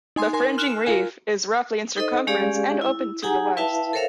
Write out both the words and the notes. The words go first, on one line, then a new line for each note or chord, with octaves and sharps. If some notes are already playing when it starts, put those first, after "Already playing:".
The fringing reef is roughly in circumference and open to the west.
D#4 G#5 C6 D#6
A#4 G#5 C6
F6 F#6 E7
F4 A#4 F5 G#5
D#4 A4 C5 D#5
G#3 C#4 G4 G#4 D5 F5
E4
D#4 G4 G#4 F#5 G#5 A#5
E4 B4 E5 F5 G5 A5
A4 A#4 C5 C#5 E5 F5